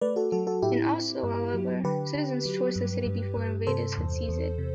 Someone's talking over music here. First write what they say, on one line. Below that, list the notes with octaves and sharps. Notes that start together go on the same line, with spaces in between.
In Oslo, however, citizens torched the city before invaders could seize it.
A3 B4 D5
F#4 A4
F#3 F#4 A4
F#4 A4
A2 E4 G4
C4
G2
F#3
D3 G4 B4
D3
F#3
G2
G2
G2
C3 A4 C5
E2
E2
C3